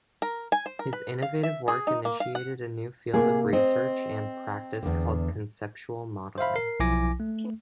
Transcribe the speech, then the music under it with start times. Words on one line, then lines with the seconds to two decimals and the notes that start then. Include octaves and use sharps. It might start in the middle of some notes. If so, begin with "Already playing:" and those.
His innovative work initiated a new field of research and practice called Conceptual Modeling.
0.22 A#4
0.52 G#5
0.66 C5
0.79 A#4
0.93 B4
1.22 F5
1.43 E5
1.68 G#4
1.87 D#4
2.05 A#3
2.20 F5
2.35 F#5
3.14 C3 A#3 G#4
3.53 C4 D#5
4.83 E2 D3
6.38 C5 E5 F5 B5
6.56 A#4 C7
6.80 B1 F3 E4 G#5 D6 A#6
7.20 A3